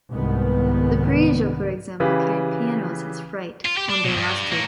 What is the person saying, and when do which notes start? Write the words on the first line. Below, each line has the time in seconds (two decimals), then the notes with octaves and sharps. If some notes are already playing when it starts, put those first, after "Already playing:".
The "Prussia", for example, carried pianos as freight on their last trip.
0.10 C2 G#2 D#3 B3
2.00 C#3 E3 G4 B4
3.65 F4
3.77 G4
3.89 D4
4.04 B2 F#3
4.17 G2
4.52 A2 A#3